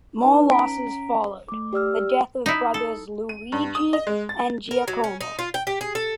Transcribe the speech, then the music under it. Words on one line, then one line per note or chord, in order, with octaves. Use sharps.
More losses followed: the death of the brothers Luigi and Giacomo.
D#4 B4 A5
C#4 A#5 B6 D7
A3 D6
G4 D5 E6 F6
D#4 E4
A4
D#7
G2
D#6
D#5
G#3
A6
A#4
F#3
C#4
D#4
F4
G5
G4
G#4
A4